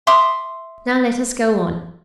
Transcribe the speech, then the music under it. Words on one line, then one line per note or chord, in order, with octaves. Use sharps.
Now let us go on.
E5 C6 D6 D#6